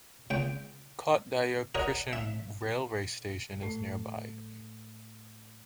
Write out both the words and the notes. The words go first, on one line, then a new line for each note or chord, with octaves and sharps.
Kot Daya Kishen railway station is nearby.
C#2 G5
F#4 A#4 C#5 D#5
E5
A2 A3